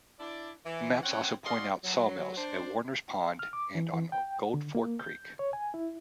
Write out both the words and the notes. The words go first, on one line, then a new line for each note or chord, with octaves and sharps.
The maps also point out sawmills at Warner's Pond and on Gold Fork Creek.
D4 E4 D5
E3
C4 C#4 C#5 F#5
F#4 G#4 D5 D#5 F5 C6
F#3
D4 C5
F6
D6
E3
E3
G5
D3
A#3
G6
C#5
G#5
E4